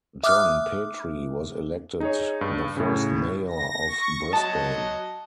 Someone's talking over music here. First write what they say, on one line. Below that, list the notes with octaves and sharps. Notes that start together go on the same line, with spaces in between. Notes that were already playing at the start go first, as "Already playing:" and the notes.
John Petrie was elected the first mayor of Brisbane.
E5 D6 D#6 F6 F#6
D#4 G#4 C#5
G2
A2 C#3
A#6
C#6
F#3 D#5 A5